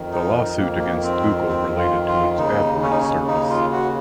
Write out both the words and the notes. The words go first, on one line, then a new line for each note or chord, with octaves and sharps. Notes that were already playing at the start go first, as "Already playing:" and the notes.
The lawsuit against Google related to its AdWords service.
Already playing: F2 D#3
D#4
A#3
A#3
C4
C4
F4
F4
D#2 C#3 D#4
C#4
D#4
C#4
D#4
F4
F#4